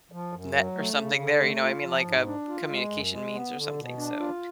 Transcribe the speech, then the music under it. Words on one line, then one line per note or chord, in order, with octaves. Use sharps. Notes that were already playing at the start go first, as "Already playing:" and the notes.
net or something there, you know? I mean, like, a communication means or something, so
F3
F#2
F#3
A3
C#3
D3
A3
F4
F3
G#2
D4
F4
G#3
F#2
G#3
B3
D3
B2
D4
F4